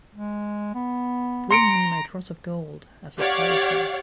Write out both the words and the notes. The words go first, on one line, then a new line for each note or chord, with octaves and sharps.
Bring me my cross of gold as a talisman.
G#3
B3
A#5 C6 C#7 D7
G4 C#5 D5 F5 F#5